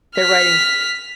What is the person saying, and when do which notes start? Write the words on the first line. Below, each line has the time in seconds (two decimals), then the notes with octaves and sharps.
Their writing.
0.16 F6 B6